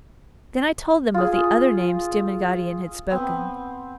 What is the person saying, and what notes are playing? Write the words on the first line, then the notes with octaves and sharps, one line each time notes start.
Then I told them of the other name Stumm and Gaudian had spoken.
F4 G#4
B3 C4 D#6